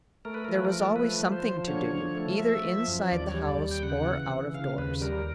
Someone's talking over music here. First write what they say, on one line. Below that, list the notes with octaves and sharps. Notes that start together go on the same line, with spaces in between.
There was always something to do, either inside the house or out-of-doors.
A3 A#4
B4
F3 A#4
B4
A#4
A3
F3 B4
F3
C5
F3
D3 C#5
F3
A3
F3 E5
F3
F#2
D#2 D5
C#5
G3
D5
D#2
G5
C#3 F#5
E3
C#3
C#3 F5
D#2 B4
G3 A#4